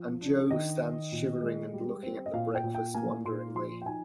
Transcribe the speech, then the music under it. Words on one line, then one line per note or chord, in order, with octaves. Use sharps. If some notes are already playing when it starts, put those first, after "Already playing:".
And Jo stands shivering and looking at the breakfast wonderingly.
Already playing: F3
D4
D#3 D#5
D#3
A#2
G#3
G3
C4
D#5
A#2 F5
G5
A#2
G5
A#3 G#5
A#2 C6
F3 C6
G5
D#4 G#5